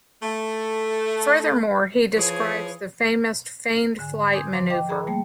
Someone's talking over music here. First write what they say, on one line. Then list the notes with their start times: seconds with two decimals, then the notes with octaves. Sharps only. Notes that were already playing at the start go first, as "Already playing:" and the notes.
Furthermore, he describes the famous 'feigned flight' manoeuvre.
0.23 A3
2.16 E3 F3 G#4 C#5
3.98 G#2 D3 G#5
4.33 G#5 C6 D6 D#6 G6 G#6
4.53 F3 C5 F5 C6 D6
4.69 D#5 F5 G5 D6
4.89 G#4 A#5 B5
5.07 G3 A3 A#3 G5